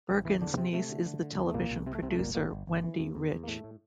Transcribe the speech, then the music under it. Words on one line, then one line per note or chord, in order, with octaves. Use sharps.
Bergen's niece is the television producer Wendy Riche.
A1 G3 G4
E2 E3 E4
E2 D3 D4
C3 C4
C3 A3
D3
D3
D3
E2
A3
C2 A#2 A#3
C2
C3 C4
A3
C2 C3 C4
A3
G1 A#2 A#3
G1 A#2 A#3
G1
G1
E3
E2
E2
E2
A#3
A2 A3
A2